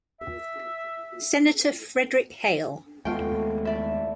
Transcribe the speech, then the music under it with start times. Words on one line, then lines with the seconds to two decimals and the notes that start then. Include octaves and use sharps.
Senator Frederick Hale.
0.21 E5
3.05 D#2 G#3 A3 B3 C4 F4 G5
3.65 E4 D5 E5